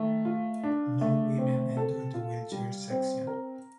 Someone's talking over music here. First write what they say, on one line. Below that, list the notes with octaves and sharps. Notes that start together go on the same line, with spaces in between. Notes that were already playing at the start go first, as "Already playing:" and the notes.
No women entered the wheelchair section.
Already playing: D#3 A3
F4
D4
A3
C4
A4
F4
G3
C4
A#4